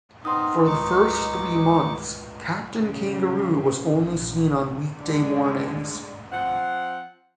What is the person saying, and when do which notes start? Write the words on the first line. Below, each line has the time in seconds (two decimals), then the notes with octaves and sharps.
For the first three months, "Captain Kangaroo" was only seen on weekday mornings.
0.25 B3 C4 D#4 A#4 C6 D#6
0.67 C#2 D#4 C#6 D6
2.75 C#3
3.99 A#1
5.00 D3 G#3
6.32 F3 C4 F#5